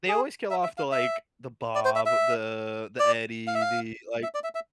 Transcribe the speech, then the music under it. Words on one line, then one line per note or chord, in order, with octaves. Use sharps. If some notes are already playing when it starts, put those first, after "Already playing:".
They always kill off the, like, the Bob, the the Eddie, the like,
G#4
E5
E5
F5
E5
D5
C5
E5
E5
D5
F5
E5
F5
E5
D5
E5
E5